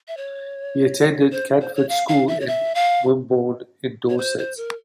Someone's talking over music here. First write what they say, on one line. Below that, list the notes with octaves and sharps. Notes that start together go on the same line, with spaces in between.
He attended Canford School in Wimborne in Dorset.
E5
C#5
C5
C5
C#5
F5
F5
E5
C#5
E5
F5
C#5
C5
C5
A#4